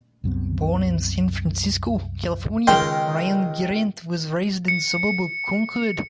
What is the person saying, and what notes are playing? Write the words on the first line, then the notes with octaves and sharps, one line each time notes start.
Born in San Francisco, California, Ryanen-Grant was raised in the suburb of Concord.
C2 F#2 C3 B3
C#2 D#3 G5 C6
C#7